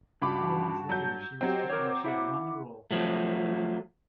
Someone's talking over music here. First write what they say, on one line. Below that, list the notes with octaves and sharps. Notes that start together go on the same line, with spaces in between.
Four months later, she was told that she had won the role.
C#2 G2 F#4 A5 B5 D6
F#3 G6
F#3 C4 G4 C5 D#5
A#4 C#5 D6
E4 E5 F#5
F3 F#3 A3